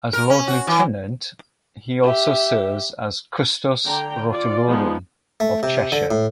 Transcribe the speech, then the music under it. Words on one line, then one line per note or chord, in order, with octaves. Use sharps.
As Lord Lieutenant He also serves as Custos Rotulorum of Cheshire.
A#4
C#4
F#4
E3
G4 E5
D3 G5 A#5
F4 D5
F3 G#3 B3 D#4
A3
C3
D3
A2